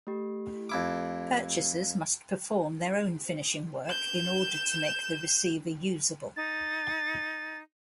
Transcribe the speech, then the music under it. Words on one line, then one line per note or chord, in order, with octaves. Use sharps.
Purchasers must perform their own finishing work in order to make the receiver usable.
A3 G4
F2 E4 D6
G6 E7
D#4 A6